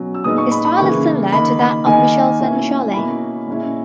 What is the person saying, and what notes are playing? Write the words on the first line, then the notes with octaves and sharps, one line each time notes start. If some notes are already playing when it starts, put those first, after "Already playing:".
The style is similar to that of Michele Sanmicheli.
Already playing: B2 F#3 C#4
E6
A#2 G#3 B3 D#4 D#6
C#6
B5
B5
C#3 E3 A#3 E4 C#6
D#3 A#3 D#4 B5
B5
D#3 A#3 D#4 G#5
B2 A#3 C#4 E4
B2 A#3 C#4 E4 B5
A#2 G#3 C#4 E4